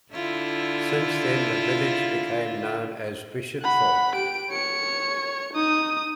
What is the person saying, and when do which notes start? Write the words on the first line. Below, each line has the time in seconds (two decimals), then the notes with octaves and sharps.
Since then, the village became known as Bishopthorpe.
0.14 D3 E4 F4
3.62 F#5 B5
4.15 G4 D7
4.51 C#5 C#7
5.53 D#4 D#6